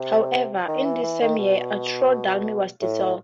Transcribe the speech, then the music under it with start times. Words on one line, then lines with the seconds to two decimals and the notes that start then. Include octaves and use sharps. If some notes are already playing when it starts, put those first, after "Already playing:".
However, in this same year, Austro-Daimler was dissolved.
Already playing: C3
0.68 D#3
0.85 E3
1.03 E3
1.22 D#3
1.38 B2
2.82 A2